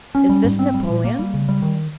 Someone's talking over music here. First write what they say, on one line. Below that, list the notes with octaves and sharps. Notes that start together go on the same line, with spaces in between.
"Is this Napoleon?"
C#4
G3
G#2
C4
G3
A#2
A#3
G3
C#3
G3
D#3